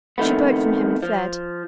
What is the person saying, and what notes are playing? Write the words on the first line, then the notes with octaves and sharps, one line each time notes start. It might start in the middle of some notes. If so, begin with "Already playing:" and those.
She broke from him and fled.
F2 D#3 A3 B3
F3